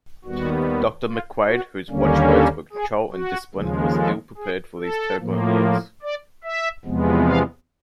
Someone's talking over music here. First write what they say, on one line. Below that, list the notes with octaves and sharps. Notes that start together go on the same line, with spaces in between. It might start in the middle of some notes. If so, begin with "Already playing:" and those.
Doctor McQuaid, whose watchwords were control and discipline, was ill-prepared for these turbulent years.
D#2 D#3 G3 B3 F#4
F4
F#4
D#2 D3 G3 A#3 C#4
A4
G#4
F#4
D#2 C#3 F3 G#3
A4
G#4
A4
A2 F3 A#3
D5
E5
E2 C3 F3 G#3 B3
F5